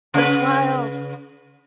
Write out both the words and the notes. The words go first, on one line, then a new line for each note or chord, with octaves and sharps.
That's wild.
C#3 B4